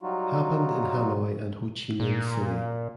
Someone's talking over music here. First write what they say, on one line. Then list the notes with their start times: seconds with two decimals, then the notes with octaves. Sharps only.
Happened in Hanoi and Ho Chi Minh city.
0.02 F#3 G3 D#4 F4 F#4
2.00 A#2